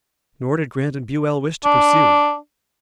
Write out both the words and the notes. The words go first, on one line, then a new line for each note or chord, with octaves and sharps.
Nor did Grant and Buell wish to pursue.
D4